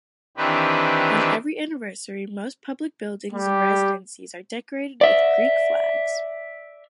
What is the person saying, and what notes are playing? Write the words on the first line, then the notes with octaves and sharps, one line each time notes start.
On every anniversary, most public buildings and residences are decorated with Greek flags.
D#3 E3 C4 D4 G4 B4
G3 G4
D5 E5